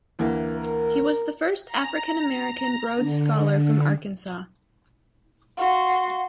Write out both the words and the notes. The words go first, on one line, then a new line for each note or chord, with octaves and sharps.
He was the first African American Rhodes scholar from Arkansas.
D2 E3 A#3
A#4
A#5
D3
F#4 F5 F#5 C6